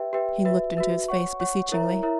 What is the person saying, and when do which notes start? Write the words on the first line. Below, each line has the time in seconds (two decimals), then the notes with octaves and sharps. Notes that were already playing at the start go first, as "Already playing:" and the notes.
He looked into his face beseechingly.
Already playing: G4 B4 E5 G5
0.13 G4 B4 E5 G5
0.45 F#4 B4 E5
0.77 F#4 B4 E5
1.08 C#5 F#5 C#6
1.40 C#5 F#5 C#6
1.72 E4 A#4 C#5 E5 A#5
2.03 E4 A#4 C#5 E5 A#5